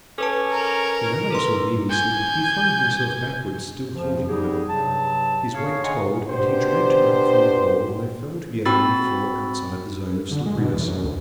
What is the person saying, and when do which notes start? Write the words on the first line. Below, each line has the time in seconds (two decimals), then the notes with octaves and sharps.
When Adam saw Mimi slip, he flung himself backward, still holding her. His weight told, and he dragged her up from the hole and they fell together on the floor outside the zone of slipperiness.
0.18 C#4 A4 B4 A5
0.52 A#4
1.30 A4 B4 C6
1.90 G#5 G6
3.95 F2 C#3 F3
4.28 G3 B3 D#4 G4 G#4
4.69 G2 C3 F#3 A5
5.54 G#4 C#5 F5
5.83 D#5 F#5 G#5 A#5 C6 C#6
6.27 B2 B3 D4 G4 C5
8.65 C4 F#4 B5 E6 A6
10.31 D3
10.46 G#3
10.58 B2
10.73 E2
10.88 F#2
11.04 D2